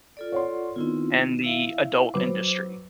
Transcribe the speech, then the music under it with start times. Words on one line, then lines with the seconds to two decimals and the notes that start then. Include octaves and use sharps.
and the adult industry,
0.17 F4 A4 D5
0.32 C#5 F#5 C6
0.76 D#3 B3 C4 E4 F4
1.44 E4 E5 F5
2.14 F#3 B4 C5 D6